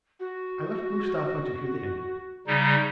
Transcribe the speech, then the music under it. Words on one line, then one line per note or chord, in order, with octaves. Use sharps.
I left Mustapha to hear the end of it.
F#4
C#3 G3 D#4